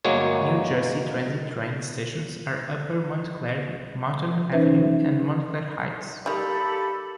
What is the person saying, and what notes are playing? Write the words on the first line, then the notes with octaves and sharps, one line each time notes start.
New Jersey Transit train stations are Upper Montclair, Mountain Avenue, and Montclair Heights.
G1 F#3 G#3 A#3 C#5
E3 C#4 D#4 B4 C5 E5
D#3 G3 A#3 G4 A4 B5